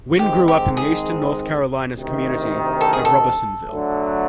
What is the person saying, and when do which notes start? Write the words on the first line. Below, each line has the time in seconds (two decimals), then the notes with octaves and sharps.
Wynn grew up in the Eastern North Carolina community of Robersonville.
0.18 G#2 D#3 G#3 C4 G4
0.48 G4
0.77 G#4
1.94 D2 C3 D#3
2.81 A4
2.93 G#4
3.05 A4
3.68 D3 F#3 A3